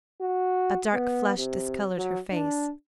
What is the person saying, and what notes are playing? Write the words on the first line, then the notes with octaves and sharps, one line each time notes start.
A dark flush discolored her face.
F#4
B3
C3
F#3
D4